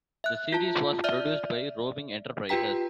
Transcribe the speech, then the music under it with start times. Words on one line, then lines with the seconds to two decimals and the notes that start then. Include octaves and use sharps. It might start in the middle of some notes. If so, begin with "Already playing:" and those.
The series was produced by Roving Enterprises.
0.24 E5 F#6
0.52 F4 A5
1.04 D5 E5 F6
2.49 F4 G4 B4 G5 A#5 B6